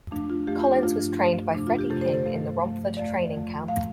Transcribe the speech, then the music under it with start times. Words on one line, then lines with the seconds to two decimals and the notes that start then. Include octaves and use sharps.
Collins was trained by Freddie King in the Romford training camp.
0.11 F2 F3 A3 D4
0.30 F4
0.47 F2 F3 A3 G4
0.59 F4
0.72 D4
0.83 G2 F3 A3 F4
1.19 G2 F3 A3
1.54 F2 C3 A3 D4
1.67 F4
1.79 G4
1.90 F2 C3 A3 A4
2.01 C5
2.13 A4
2.26 G2 F3 A3
2.61 G2 F3 A3
2.97 F2 F3 A3 D5
3.32 F2 F3 A3
3.68 A2 A3 F5